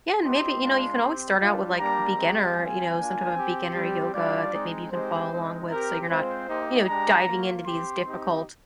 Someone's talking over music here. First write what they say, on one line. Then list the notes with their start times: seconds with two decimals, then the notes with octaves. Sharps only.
Yeah. And maybe, you know, you can always start out with, like, beginner, you know, some type of beginner yoga that maybe you can follow along with so you're not, you know, diving into these difficult,
0.21 C4 D#4 G4 C6
0.60 G#3 D4 F4
1.00 C4 G4
1.38 G3 D4 F4
1.78 G3 A#3 D4 G4 A#5
2.17 G#3 C4 G4
2.56 G3 C4 F4 G#5
2.96 A#3 D4 F4
3.35 C4 G4
3.74 G3 C4 G4
4.12 G3 D4 F4 D5
4.52 G#3 C4 D#4
4.91 G#3 C4 D#4 G4 C5
5.30 G#3 C4 D#4
5.70 C4 G4 A#4
6.09 G#3 C4 F4 C5
6.48 A#3 D#4 G4
6.87 G#3 D4 G4 A#5
7.26 A#3 F4
7.65 C4 G4 C6
8.04 C4 D#4 G4